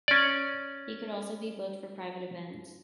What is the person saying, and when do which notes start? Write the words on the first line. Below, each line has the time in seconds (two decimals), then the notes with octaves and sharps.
He could also be booked for private events.
0.08 C#4 D5